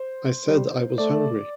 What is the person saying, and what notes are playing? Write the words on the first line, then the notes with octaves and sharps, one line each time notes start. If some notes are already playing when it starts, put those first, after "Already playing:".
I said, 'I was hungry.
Already playing: C5
G3
A3 D5